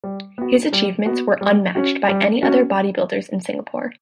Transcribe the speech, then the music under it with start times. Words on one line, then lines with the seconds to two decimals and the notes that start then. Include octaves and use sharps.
His achievements were unmatched by any other bodybuilders in Singapore.
0.04 G3
0.38 B3 F#4
0.73 G3
1.06 B3 F#4
1.41 G3
1.75 C#4 F#4
2.09 G3
2.43 C#4 F#4